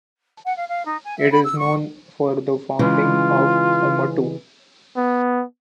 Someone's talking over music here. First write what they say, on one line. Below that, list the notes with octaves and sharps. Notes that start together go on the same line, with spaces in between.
It is known for the founding of Oomoto.
F#5
F5
F5
D#4
G#5
E5
B5
E6
C#6
C#3 E3 G#3 F4
B3